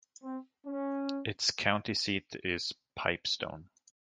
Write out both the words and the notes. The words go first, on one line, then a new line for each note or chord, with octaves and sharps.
Its county seat is Pipestone.
C4
C#4